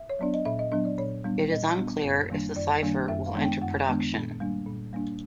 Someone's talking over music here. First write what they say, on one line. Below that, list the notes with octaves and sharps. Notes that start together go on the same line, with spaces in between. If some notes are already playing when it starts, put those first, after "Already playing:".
It is unclear if the Cypher will enter production.
Already playing: E5
C#5
F#3 B3 D4 D5
D#5
A#2 E5
D#5
F#3 B3 D4 D#5
D5
A#2 C#5
G3 B3 D4
A#2 D#5
G3 B3 D4
F#2
D#3 G3 A#3 D4
F#2 D5
D#3 G3 A#3 D4
F#2 E5
F5
D#3 G#3 B3 D4
G5
F#2 F#5
D#3 G#3 B3 D4
A#2
G3 A#3 D4
A#2
G3 A#3 D4